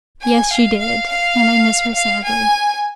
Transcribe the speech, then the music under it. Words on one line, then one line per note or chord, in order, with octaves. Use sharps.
'Yes, she did; and I miss her sadly.
G#5
F5
F5
F5
F5
G#5